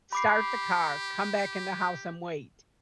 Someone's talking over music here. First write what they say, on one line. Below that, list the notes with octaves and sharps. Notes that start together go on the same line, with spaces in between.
start the car, come back in the house, and wait.
G4 B5 D6 C7